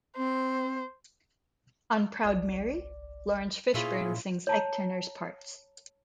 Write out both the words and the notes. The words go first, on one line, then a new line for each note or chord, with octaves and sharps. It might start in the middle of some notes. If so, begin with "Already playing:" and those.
On "Proud Mary," Laurence Fishburne sings Ike Turner's parts.
C4 C5
G1 C2 D5
A#2 C#4 E4 F4 G#4
C#5 A5 A#5